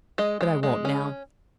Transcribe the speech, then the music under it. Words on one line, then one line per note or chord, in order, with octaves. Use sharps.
But I won't now.
G#3 D#5
G#3
G#3
C#4